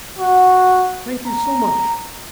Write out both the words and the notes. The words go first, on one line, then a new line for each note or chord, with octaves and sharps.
Thank you so much.
F#4
A#5